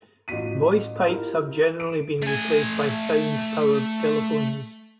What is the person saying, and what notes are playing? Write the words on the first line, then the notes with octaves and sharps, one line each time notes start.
Voice pipes have generally been replaced by sound powered telephones.
A1 F4 F#4 B6 D#7
E4 F4 G4 A#4
D7
A3 G#5